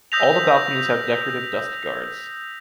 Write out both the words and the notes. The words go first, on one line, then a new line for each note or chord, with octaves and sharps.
All the balconies have decorative dust-guards.
D#6 E6 G6 A#6 B6 F7